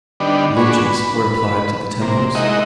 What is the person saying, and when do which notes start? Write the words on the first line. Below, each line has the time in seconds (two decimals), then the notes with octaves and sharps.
Leeches were applied to the temples.
0.20 D3 G3 B3 D4 D#4
0.57 D4 F#4 G#4 B4 C#6
0.83 B4
2.01 C3 A#3
2.35 G#3 D#4 E4 A#4 D#5 F#5